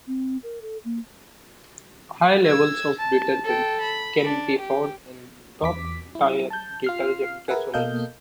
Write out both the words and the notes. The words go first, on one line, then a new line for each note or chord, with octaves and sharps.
High levels of detergent can be found in Top Tier Detergent Gasolines.
C4
A#4
A4
A#3
E6 G#6
A5
A4 G5
B5
D4
G4
E2 D6 B6
E4
A5 G6
F4 F6 C7
G#4 A#4 B4 E5 F#5 G#5
B2 A#3 A4 D#5 F5 G6